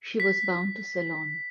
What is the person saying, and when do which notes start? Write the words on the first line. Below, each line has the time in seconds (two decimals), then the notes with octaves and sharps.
She was bound to Ceylon.
0.20 B6